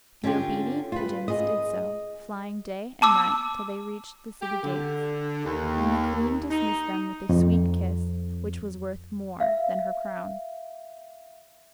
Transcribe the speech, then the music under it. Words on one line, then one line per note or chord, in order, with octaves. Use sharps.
The obedient pigeons did so, flying day and night till they reached the city gates; when the queen dismissed them with a sweet kiss, which was worth more than her crown.
D3 C#4 F4 G4
F4 B4
G#4 D#5
A5 D6 E6
G4
D3
D#2
D#4
F2
E5 F5